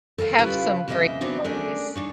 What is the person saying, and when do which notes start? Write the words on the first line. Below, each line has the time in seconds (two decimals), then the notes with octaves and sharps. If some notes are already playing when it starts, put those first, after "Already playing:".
have some great holidays,
0.18 A4 A#4 D5 F5
0.38 C#3 G3 E4 F4 B4 F5
0.88 F2 C#3 A#3 G#4 D#5 E5
1.21 F#3 B3 C4 D4 D#4
1.44 A3 C#4 D4 G#4 A#4 D5
1.95 D4 D#4 C#5